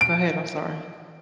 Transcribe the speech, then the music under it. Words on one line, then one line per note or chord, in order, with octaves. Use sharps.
go ahead, I'm sorry.
D7